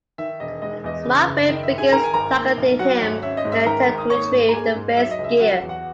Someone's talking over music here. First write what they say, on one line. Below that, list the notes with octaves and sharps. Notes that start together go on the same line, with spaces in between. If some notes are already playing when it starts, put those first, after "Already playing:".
Smart Brain begins targeting him in an attempt to retrieve the Faiz Gear.
D#3 E5
E1 D#5
G#3 D#5
E2 D#5
C#3
F#1
D#3 D#5
E5
G#1
G#4 G#5
D#3 A#4 A#5
G#5
G#1 A#4 A#5
A#3
B1
F#3 F#4 F#5
G#1
C#4 E5
D#5
G#2
E5
D#3 A#4 A#5
G#1
D#6
A#3 C#5 C#6
G#2
A#5
A#3 G#4 G#5
G#2
F#3 E5
D#5
C#2
E5
F#3 F#4 F#5
E2
F#4 F#5